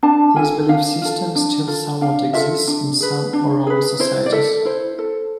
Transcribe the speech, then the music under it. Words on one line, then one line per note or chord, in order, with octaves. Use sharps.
This belief system still somewhat exists in some Oromo societies.
D4 A5
F4 A4 G#5
D4 F5
F4 A4
D4
F4 A4
D4 F5
F4 A4 E5
D4
G#4 B4
D4
G#4 B4
E4 C5
D5
A4 E5
E4 C5
A4